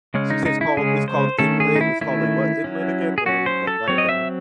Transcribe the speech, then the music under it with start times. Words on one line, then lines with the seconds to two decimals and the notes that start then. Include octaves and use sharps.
So, you say it's called it's called inlet it's called, like, what inlet again? Wait, let me, like, write it down.
0.14 C#3 G#3 C#4
0.30 D#4
0.46 D#4
0.61 E4
0.77 C#3 G#3 C#4 G#4
1.08 C5
1.39 D#3 A3 C#4 A4
1.60 G#4
1.76 D#4
1.81 E4
2.01 D#3 A3 C#4 E4
2.64 F#3 C#4
3.18 G#4
3.26 F#3 C#4 F#4
3.46 C5
3.67 A4
3.88 F#3 C4 C#5
3.98 D#5
4.09 E5